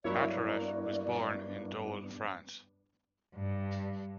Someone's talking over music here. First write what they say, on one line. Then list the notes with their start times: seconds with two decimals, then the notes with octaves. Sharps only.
Attiret was born in Dole, France.
0.04 G2 F#3 A#3 B3 D4 E4 C#5 D5
3.35 G2